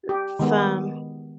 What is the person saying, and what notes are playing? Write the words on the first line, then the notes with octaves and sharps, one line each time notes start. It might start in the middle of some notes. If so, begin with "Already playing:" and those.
it's, um
G4
D#3 G#3 B3